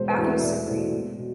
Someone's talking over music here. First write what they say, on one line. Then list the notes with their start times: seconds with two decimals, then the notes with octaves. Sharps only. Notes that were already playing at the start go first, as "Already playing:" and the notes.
Bathos supreme.
Already playing: E1 C5
0.09 B4
0.17 E2 B2 A3
0.26 E5
0.43 E1 D5
0.67 E2 B2 A3 C5
0.93 E1
1.18 B2